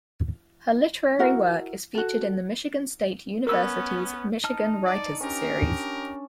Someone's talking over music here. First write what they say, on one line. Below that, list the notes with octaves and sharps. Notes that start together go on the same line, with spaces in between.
Her literary work is featured in the Michigan State University's Michigan Writers Series.
E4 F#4 A#4 F#5
F#4 A4
B3 C#4 A#4 E6
D#4 A5 F6
D5
C#4 D4 G4 A#4